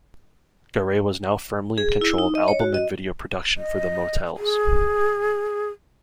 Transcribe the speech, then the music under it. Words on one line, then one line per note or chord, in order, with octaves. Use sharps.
Garay was now firmly in control of album and video production for The Motels.
G#4
G#4
E4
D#4
D#5
C#5
F#4
D#5
D#5
G#4